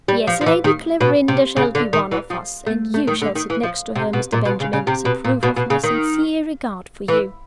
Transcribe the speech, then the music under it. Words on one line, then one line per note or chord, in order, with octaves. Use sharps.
Yes, Lady Clarinda shall be one of us; and you shall sit next to her, Mr. Benjamin, as a proof of my sincere regard for you.
G3
F3
F3
E3
D#3
B2
C3
C#3
D3
D#3
E3
F3
A3
A3
D#3
D3
D#3
E3
F3
C3
B2
A#2
B2
C#3
C#3
C3
B2
A#2
B2
B2
C#3
D#3
E3